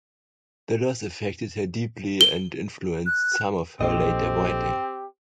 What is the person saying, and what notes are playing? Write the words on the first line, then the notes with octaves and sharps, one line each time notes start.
The loss affected her deeply and influenced some of her later writing.
G7
F#6
A#1 C4 G4 A4 C5 D#5